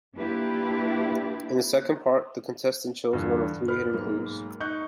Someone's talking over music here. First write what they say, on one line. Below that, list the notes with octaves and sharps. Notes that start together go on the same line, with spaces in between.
In the second part, the contestant chose one of three hidden clues.
A#3 D4 E4 F4 G4 B4
E2 G2 D3
B3 B5 F6
B1 G#2 A#3
D#4 C#6 F#6 G6